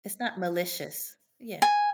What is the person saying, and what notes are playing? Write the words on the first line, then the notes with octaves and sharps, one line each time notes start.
It's not malicious, yeah.
G#5